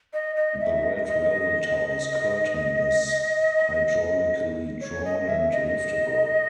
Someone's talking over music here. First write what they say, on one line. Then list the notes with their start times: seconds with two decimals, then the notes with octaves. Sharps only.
The red velvet house curtain is hydraulically drawn and liftable.
0.13 D#5
0.36 D#5
0.61 E5
0.83 D#5
1.07 D#5
4.81 C#5
5.05 D#5
5.28 E5
5.52 D#5